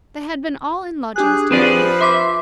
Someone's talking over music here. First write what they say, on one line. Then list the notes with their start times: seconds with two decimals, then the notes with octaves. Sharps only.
They had been all in lodgings together.
1.16 D4 G4 G#4 F#6
1.51 F3 C4 G#4 B4 D5
2.01 E5 C6 D6 B6